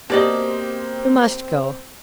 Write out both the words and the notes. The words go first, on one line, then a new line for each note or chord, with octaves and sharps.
You must go.'
B2 A#3 C4 G4 D5 D#5 A5